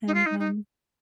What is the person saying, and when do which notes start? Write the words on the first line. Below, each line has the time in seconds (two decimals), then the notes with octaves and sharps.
and, um
0.07 D#4
0.14 F4
0.26 D#4
0.39 D#4